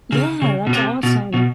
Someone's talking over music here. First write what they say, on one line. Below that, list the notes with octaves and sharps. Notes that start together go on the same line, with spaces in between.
Yeah, that's awesome.
C#3
C#3
B2
C3
B2
B2